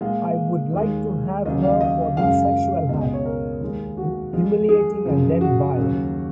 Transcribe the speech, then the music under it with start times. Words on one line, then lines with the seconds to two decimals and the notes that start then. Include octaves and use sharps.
I would like to have her for the sexual act: humiliating and then bye.
0.01 A#2 G#3 F5
0.73 D#2 D#3 G#3
1.45 D#2 C#3 F#3 D#5
1.63 F5
1.81 D#5
2.17 F#2 C#3 G#3 F5
2.89 C#2 B2 G#3 D#5
3.01 D#5
3.14 C#5
3.25 A#4
3.61 D#2 D#3 G#3
3.97 F#4
4.33 F2 F3 G#3 F4
4.69 G#4
5.06 F#2 C#3 F3
5.41 F#4
5.77 D#2 C#3 F#3